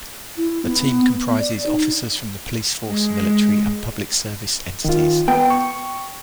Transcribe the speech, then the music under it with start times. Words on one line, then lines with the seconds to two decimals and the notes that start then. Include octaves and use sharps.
The team comprises officers from the police force, military and public service entities.
0.37 E4
0.65 B3
1.05 B3
1.39 D5
1.66 D#4
2.85 G#3
4.84 D#3 F4
5.28 B3 G5
5.50 C#6